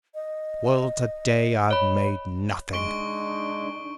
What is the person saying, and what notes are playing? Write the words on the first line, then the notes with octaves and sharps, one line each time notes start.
Well, to-day I've made nothing.
D#5
C#5 B5
G#3 D4 D#4 C#6 D7 G7